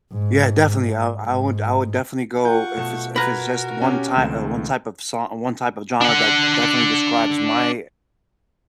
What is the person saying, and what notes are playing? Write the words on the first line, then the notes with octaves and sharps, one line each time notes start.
Yeah, definitely, I I would I would definitely go if it's if it's just one type uh, one type of son one type of genre that definitely describes my
G#2
G#2
F4 F#5 C#6 G6
B2 A3
F#4 A#4 B4 A#5 F#6 G#6
C#4 G4
C#2 D#3 A3 C4 E7
D4 F#5